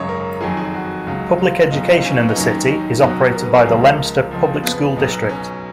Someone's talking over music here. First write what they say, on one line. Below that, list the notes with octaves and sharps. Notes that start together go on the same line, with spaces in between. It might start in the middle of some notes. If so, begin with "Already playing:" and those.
Public education in the city is operated by the Leominster Public School District.
Already playing: G#1 F#2 C#3 F#3 C#5 D#5
A#4
F2 D#3 F#3 G#4
G#4
F#4
C#2 C#3 F#3
F4
B1 B2 F#3 D#4
F4
D#4
C#4
B3
D#4
D#2 D#3 F#3 C#4
C#4
D#4
B1 B2 F#3 F#4
A#4
B4
G#4
C#2 C#3 F3 A#4
F2 C#3 F3
B3
B1 B2 F#3
C#4